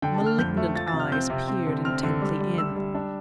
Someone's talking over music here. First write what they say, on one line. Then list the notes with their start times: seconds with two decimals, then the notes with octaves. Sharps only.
Malignant eyes peered intently in.
0.02 D3 G5
0.14 A5
0.21 D3
0.26 F6
0.38 F2 G6
0.57 A3
0.75 F3 A6
0.88 A6
0.93 C3
1.00 F6
1.12 C4 G6
1.30 C3
1.48 C4
1.66 D3
1.85 C4 F6
2.03 D3
2.22 G3
2.40 G3
2.58 G3 E6
2.76 G3
2.95 D4